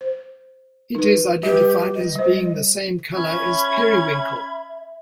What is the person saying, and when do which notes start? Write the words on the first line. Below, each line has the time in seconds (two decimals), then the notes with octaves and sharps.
It is identified as being the same color as periwinkle.
0.01 C5
0.95 D#4 B4
1.43 G3 G4 B4
1.95 D#5
2.15 G3 C5
3.16 C#4 E5 B5 G#6